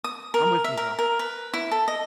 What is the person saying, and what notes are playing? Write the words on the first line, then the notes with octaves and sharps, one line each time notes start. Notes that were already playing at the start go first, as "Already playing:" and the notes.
I'm with you though,
D#6
A#4
E5
A#4
A#4
B4
E4
A4
D#5